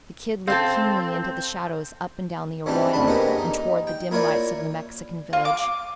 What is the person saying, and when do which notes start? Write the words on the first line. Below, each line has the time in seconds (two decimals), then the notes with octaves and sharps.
The Kid looked keenly into the shadows up and down the arroyo and toward the dim lights of the Mexican village.
0.48 C4 A4 C5 F5
2.66 G#2 F3 G3 C4 D4 G4
2.93 A1 F2 D4 A5 B5
3.07 G2 G#3 A#3 B3 G4
3.38 D#4
3.87 G5
4.11 A#3 E4 F4 C#5 D5
5.33 F4
5.45 D6